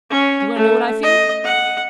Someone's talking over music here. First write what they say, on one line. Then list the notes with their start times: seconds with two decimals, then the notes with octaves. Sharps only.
Do you want to know what I feel?
0.10 C#4
0.55 A3
1.03 D#5
1.44 F#5